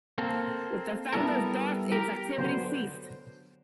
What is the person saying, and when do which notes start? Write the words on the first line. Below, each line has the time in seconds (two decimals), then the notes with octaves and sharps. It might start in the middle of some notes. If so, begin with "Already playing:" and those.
With the founder's death, its activities ceased.
0.18 A#3 C4 A4
1.13 G3 B3 E4 A4 A#4
1.92 G4 A#4
2.38 D3 F#3 B3 C5